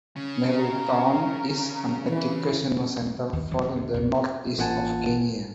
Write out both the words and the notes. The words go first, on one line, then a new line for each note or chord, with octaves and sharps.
Meru town is an educational center for the northeast of Kenya.
C#3
A#4
E3 B4
D#2 D#3
D#1 F#2 E3 F#3
D2 D3
B1 F2 C3
A1 A#3 F4 F#5 G#5 A5